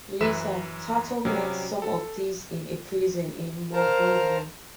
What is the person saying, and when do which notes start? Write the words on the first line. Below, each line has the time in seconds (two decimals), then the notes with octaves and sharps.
Later, Tarto met some of these in a prison in Mordovia.
0.20 F#2 E3 B4 E5 B6 E7
1.25 C3 F#3 G3 C#4
1.82 A4
3.73 A#4 C5 F5 A5 A#5